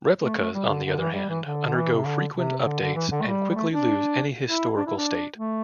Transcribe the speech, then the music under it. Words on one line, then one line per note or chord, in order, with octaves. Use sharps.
Replicas, on the other hand, undergo frequent updates and quickly lose any historical state.
A3
A3
G3
D3
D3
E3
G3
E3
D3
D3
E3
C3
D3
C3
D3
D3
E3
D3
A3
G3
G3
A3
D4
E4
D4
E4
D4
A3